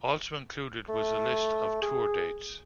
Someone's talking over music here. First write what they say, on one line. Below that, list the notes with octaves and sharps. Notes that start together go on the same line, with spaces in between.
Also included was a list of tour dates.
A3
G#4